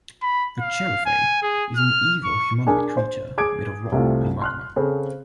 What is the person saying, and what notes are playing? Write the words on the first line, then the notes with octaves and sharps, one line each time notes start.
The Cherufe is an evil humanoid creature made of rock and magma.
B5
F5
G#5
G#4
F6
C#6
D4 G#4 A#4 G#5
C5
G#4 D6 G#6 D7
C2 C3 A3 F4
C6 F6 F#6
C#3 C4 A4 C5